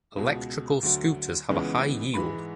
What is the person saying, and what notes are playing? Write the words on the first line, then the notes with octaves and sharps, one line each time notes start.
Electrical scooters have a high yield.
C#2 B2 G#3
D2 D3 F#3
C#2 C#3 E3 G#3 B3
G#2 E3 G#3 B5